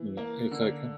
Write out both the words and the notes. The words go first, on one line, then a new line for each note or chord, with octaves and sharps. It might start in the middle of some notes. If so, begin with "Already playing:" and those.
you know, it's like, "Huh."
Already playing: E3
A#3
D3